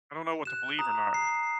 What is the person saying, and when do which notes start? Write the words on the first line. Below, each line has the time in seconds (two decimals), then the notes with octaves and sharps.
I don't know what to believe or not.
0.45 F#6 E7
0.79 A#5 D#6
1.14 C7